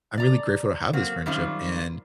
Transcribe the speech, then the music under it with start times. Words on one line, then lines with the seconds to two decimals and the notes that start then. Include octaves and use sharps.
I'm really grateful to have this friendship, and
0.18 D5 A#5
0.93 F#3 A#3 C4 F#4
1.26 F#2 D#3 G3 C4 F4